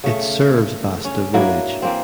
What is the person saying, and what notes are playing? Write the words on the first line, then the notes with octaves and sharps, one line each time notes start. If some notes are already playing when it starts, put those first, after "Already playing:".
It serves Basta village.
C#3 A3
C#4
F#3 A#3 D4 E4
E3 A#3 C4